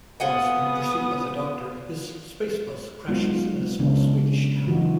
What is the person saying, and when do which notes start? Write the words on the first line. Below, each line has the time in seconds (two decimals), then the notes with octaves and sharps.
Whilst in pursuit of the doctor his space-bus crashes in a small Swedish town.
0.20 B3 F4 F#5 G#5 D#6
3.08 F#3 G#3 B3 D#4 F4 F#4
3.79 C#3 G#3 B3 C#4 D4
4.67 E3 F#3 D#4 F4 F#4